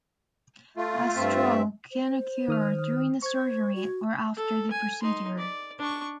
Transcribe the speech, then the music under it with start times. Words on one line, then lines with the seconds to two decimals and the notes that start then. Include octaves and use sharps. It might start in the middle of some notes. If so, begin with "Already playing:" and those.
A stroke can occur during surgery or after the procedure.
0.77 A3 F4
1.15 G2 C4 E5
1.92 C5
2.48 D#3 D#6 F6
3.22 C5 C#6 G#6
3.76 F#4
4.37 A4
4.71 G#5
5.03 D#4 C6
5.38 D5
5.79 D4 C#6